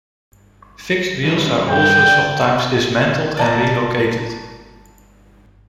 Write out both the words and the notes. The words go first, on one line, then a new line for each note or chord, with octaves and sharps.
Fixed wheels are also sometimes dismantled and relocated.
E3 G3 C#4
G2 G5
D5
D5 A5 A#5